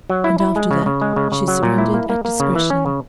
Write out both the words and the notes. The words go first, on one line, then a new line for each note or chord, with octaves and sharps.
And after that she surrendered at discretion.
F#3
E4
E4
G#3
C#3
C#3
G#3
C#3
C#3
F#3
A#2
E4
A#3
A#3
A#3
C#3
E3
C#4
C#3